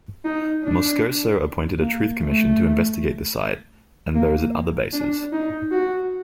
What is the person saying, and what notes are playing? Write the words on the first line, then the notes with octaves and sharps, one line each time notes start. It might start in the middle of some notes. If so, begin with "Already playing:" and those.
Moscoso appointed a truth commission to investigate the site and those at other bases.
D#4
D4
A#3
A3
A#3
D4
D#4
F#4